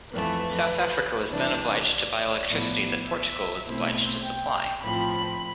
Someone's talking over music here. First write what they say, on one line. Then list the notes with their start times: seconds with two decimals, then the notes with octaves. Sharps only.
South Africa was then obliged to buy electricity that Portugal was obliged to supply.
0.13 F2 E3 A3 B4
1.30 C3 E3 G3 D4
1.88 D5
2.48 A2 F3 B3 E4
3.06 E5
3.65 B2 A3 C4 E4 C5
4.24 G5
4.83 A2 F3 C4 B5
5.12 B5